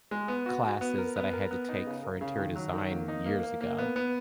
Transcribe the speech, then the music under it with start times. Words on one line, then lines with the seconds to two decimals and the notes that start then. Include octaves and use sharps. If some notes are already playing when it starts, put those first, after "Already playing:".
classes that I had to take for interior design years ago,
0.11 G#3
0.28 B3
0.46 F#4
0.63 F#4
0.81 B3
0.98 A#4
1.16 B3
1.33 A#4
1.51 B3
1.69 D#4
1.86 C#3
2.03 A#4
2.21 C#3
2.39 D#3
2.56 F#3
2.74 D#3
2.91 A#3
3.08 D#4
3.26 A#3
3.43 A#3
3.61 A#3
3.78 B3
3.96 B3